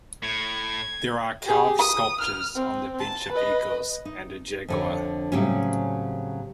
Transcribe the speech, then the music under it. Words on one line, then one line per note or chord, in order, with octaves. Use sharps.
There are carved sculptures on the bench of eagles and a jaguar.
A2 G#6
G4 G#4
D#6
F6
C4
A5
B4 D#5
D#4
F2 D3 C#5
A2 C#3 F#3 G3 C4 C#4